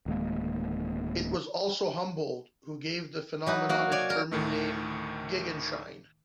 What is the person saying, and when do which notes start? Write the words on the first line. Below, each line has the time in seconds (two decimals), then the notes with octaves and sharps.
It was also Humboldt who gave the phenomenon its German name Gegenschein.
0.06 D1 D#3 G#3 A#3
3.47 F#3 D#4 B4
3.69 A#3 F#4
3.92 C#5 D5 G#5
4.10 A#4
4.31 D2 A2 D#3 A3